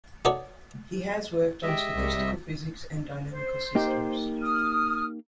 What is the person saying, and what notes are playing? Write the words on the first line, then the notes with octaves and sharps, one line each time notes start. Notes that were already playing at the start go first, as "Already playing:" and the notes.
He has worked on statistical physics and dynamical systems.
D#4 F#4 A4 C#5 D5
G#3 G4 D#5 E5
C2 C3 G3
C5
A#3 D#4 G4
D#6 F6